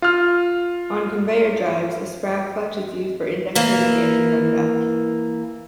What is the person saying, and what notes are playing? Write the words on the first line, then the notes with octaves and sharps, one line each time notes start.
On conveyor drives, a sprag clutch is used for indexing and anti-runback.
F4 F6
E3 A#3